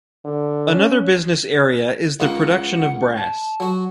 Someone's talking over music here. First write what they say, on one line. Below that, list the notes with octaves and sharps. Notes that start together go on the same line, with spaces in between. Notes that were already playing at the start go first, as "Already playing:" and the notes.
Another business area is the production of brass.
D3
C#4
C#2 A#3 F#5
A5
F#3 F#4